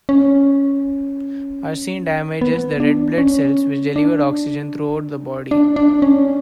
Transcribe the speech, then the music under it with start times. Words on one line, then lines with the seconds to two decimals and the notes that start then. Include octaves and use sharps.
Arsine damages the red blood cells which deliver oxygen throughout the body.
0.09 C#4
2.41 B3
2.80 D4
3.18 C#4
3.96 D4
5.51 D4
5.76 D4
6.02 C#4